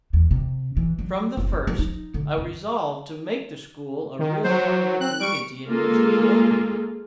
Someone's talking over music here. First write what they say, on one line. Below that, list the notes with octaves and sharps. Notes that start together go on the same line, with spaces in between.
From the first, I resolved to make the school a real part of the community in which it was located.
E2
C3
E3
F#3
F#1
C4
F3
D#4
D3
F#2
D#3
F#3 C5
C4 F#6
G3 C#6 D7
G#3 A#3 F4 G#4 A4